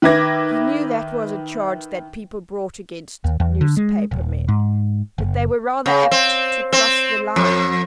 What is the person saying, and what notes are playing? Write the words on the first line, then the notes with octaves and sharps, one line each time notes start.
He knew that was a charge that people brought against newspaper-men--that they were rather apt to cross the line.
D#3 B4 E5 D6 G#6 A#6
D#2
E2
D3
G#3
D#1
G#2
F#1
C#3
C4
C4
F2